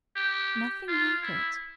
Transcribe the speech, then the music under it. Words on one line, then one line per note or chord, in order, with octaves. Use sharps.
Nothing like it.
G4
F4
E4